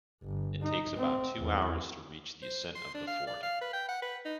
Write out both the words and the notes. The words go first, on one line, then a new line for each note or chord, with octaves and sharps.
It takes about two hours to reach the ascent of the fort.
G1
D#4
C4
E2
C5
C6
D4
F5
D5
F5
B4
G5
F#5
B4
D#4